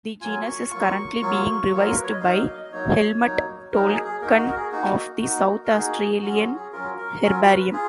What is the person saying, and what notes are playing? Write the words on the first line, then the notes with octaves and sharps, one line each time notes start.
The genus is currently being revised by Helmut Toelken of the South Australian Herbarium.
F#3 A#3 F4 G#5
C#6
F#3 A#3 F4 C#6
F#3 A#3 F4
F#3 A#3 F4
A#4
B4
C#5
D#5
F#3 A#3 D#4 F5
D#5
D#5
F#3 A#3 D#4 C#5
F#3 A#3 D#4
F#3 A#3 D#4 A#4
G#4
G#4
A#3 D#4 F#4 A#4
F#4
A#4
G#4
A#3 D#4 F#4
A#3 D#4 F#4
A#4
A#3 D#4 F#4 G#4
F#3 C#4 F4 F#4
G#4
F#4
G#4
F#3 C#4 F4 A#4
A#4
F#3 C#4 F4 A#4
B4
F4 G#4